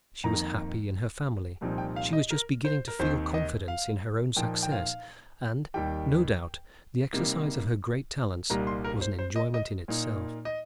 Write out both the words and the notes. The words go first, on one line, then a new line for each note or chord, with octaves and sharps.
She was happy in her family; she was just beginning to feel confidence in her own success; and, no doubt, the exercise of her great talents was an enjoyment in itself.
F2 D#3 A#3 D#4 A#5
C2 A#2 F3 C4 D#4
G5
F5
D#5
A#4
C5
A#4
D#2 D#3 C4 D#4 C5
D#5
F5
A#2 F3 A#3 D#4 G5
G5
F5
D#2 D#3 G3 G5
C3 G3 A#3 D#4
C2 A#2 G3 A#3 D#4 A#5
C6
A#4
C5
C5
D#5
D#5
A#2 A#3 D#4
D#5